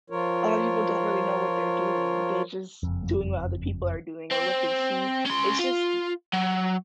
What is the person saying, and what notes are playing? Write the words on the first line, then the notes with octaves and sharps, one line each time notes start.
a lot of people don't really know what they're doing, they're just doing what other people are doing or what they see, it's just,
F3 F4 A#4 C#5
F#1 F2
C4
C#4 C6
F4
F#3